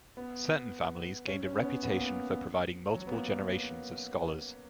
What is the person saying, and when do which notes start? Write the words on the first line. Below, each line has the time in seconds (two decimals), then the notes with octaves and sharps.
Certain families gained a reputation for providing multiple generations of scholars.
0.17 B3
1.28 C#4
1.46 C#4
1.57 B3
1.65 C#4
1.83 B3
1.91 A#3
2.00 B3
2.94 F#3
3.07 B3
3.12 A#3